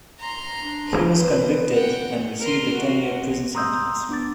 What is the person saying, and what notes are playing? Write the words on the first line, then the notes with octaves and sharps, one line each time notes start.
He was convicted, and received a ten-year prison sentence.
A#5 C6
D4
B4 C5
F#5 G5
A#4 C6
F#4
A#5 C6 D#6 E6 G6
B3 D4 D6 A6